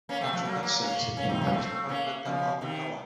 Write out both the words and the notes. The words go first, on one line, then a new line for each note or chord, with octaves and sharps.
Natural gas service in Newark is provided by Delmarva Power.
A#3 C#4
A3 C4
F3 A3
F#3 A#3
F#3 A#3
A#3 C#4
A#3 C#4
C4 D#4
A#3 C#4
A3 C4
A#3 C#4
C#3 F3
C3 D#3